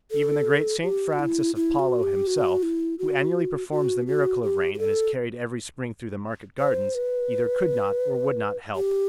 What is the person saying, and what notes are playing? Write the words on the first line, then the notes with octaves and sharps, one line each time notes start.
Even the great St. Francis of Paolo himself, who annually performs the miracle of rain and is carried every spring through the market-gardens, either could not or would not help.
A4
G4
F#4
E4
E4
F#4
G4
F#4
E4
F#4
F#4
F#4
G4
G4
A4
C5
B4
G4